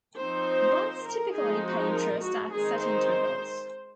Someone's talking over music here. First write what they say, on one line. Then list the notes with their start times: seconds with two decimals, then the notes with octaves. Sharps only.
Bonds typically pay interest at set intervals.
0.18 F3 C4 D#4 C5
1.06 A#4
1.34 F3 G#3 C4 D#4 G#4
1.64 F#4
1.92 A#4
2.21 F#4
2.51 D#3 G#3 C4 D#4 G#4
2.79 C5